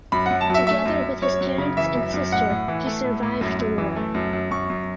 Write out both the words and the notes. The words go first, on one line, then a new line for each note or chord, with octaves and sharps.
Together with his parents and sister he survived the war.
F#2 B5
F#5
F#2
A5
F#3 E5
A3 E5
F#2
F#2
F#2 C#5
F#2
C#3
E3 E5
F#2
F#2
A2 F#5
A2
E3
A3
A2
A2
F#2
F#2
E3
A3
F#2
F#2
F#2 C#6
F#2